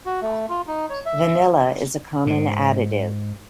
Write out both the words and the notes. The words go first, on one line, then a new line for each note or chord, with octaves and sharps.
Vanilla is a common additive.
F#4
A3
F4
D#4
C#5
E5
G#2